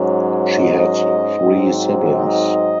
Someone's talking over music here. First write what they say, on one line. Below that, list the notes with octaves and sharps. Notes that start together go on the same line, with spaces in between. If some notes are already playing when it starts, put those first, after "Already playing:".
She had three siblings.
Already playing: G#2 F#3 C#4
D#5
G#2 F#3 C4 D#4
D#5